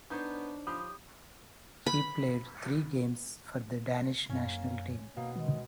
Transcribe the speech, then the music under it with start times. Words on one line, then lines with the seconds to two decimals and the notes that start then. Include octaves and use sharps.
He played three games for the Danish national team.
0.10 B3 D4 D#4 C5 C#5 G6
0.67 F3 G4 B5 D#6 F6
1.86 B5
4.30 F#2 A#3 C#4
5.17 B2 A#3
5.36 D#3 G#3